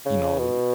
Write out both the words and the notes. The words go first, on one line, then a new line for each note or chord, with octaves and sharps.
you know,
C#3
B2